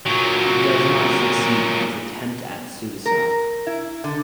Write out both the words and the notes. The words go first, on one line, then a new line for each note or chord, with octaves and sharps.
He does not succeed in his attempt at suicide.
A#2 F#3
A#4
E4
D3